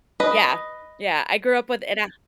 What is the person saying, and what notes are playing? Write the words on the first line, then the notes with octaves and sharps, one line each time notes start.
yeah, yeah, I grew up with and I
B4 D#5